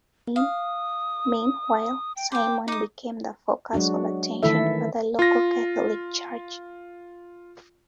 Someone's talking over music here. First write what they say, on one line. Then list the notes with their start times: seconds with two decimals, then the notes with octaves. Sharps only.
Meanwhile, Simon became the focus of attention for the local Catholic Church.
0.36 F5 D#6
2.16 G5
2.32 C5 G5 D6
2.68 D#4 D6 D#6
3.73 F#3 G#3 D4 F#4
4.43 D#3 E3 A3 E4 A4 E5
5.19 F4 A#6